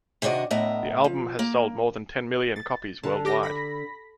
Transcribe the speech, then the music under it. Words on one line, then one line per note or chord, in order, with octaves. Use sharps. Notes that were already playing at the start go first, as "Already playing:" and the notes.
The album has sold more than ten million copies worldwide.
C3 D#3 D4 F#4 D#5
A2 B3 D#5 E5 A#5
F3
A#3
A6
D3 A5
G4 D6 A#6
B5 A#6 B6